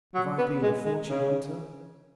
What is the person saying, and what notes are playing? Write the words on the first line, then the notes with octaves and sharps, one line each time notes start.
Have I been a fortune hunter?
F#3
B3
G#3
G#3
C#3